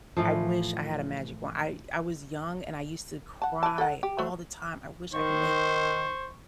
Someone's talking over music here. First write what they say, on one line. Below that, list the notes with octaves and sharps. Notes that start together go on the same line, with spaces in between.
I wish I had a magic wand. I I was young, and I used to cry all the time, "I wish I could make
A2 E3 F3
F#5 A5
E3 A5
A4 F#5
G4
F#3 A3 C5
D#3 C5 C#6